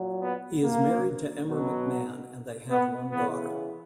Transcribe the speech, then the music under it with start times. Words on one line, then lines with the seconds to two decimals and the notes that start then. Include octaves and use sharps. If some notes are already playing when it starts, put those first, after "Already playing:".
He is married to Emer McMahon and they have one daughter.
Already playing: A#2 F#3
0.22 B3
0.63 A#3
1.46 B2 F#3
2.70 B3
3.12 C#3 E3 B3